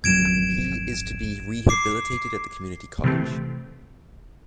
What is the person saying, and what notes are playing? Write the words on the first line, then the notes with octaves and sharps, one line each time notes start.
He is to be rehabilitated at the community college.
G#1 F2 F#3 G#6 D7 E7
D6 C7
C3 E3 A3 C4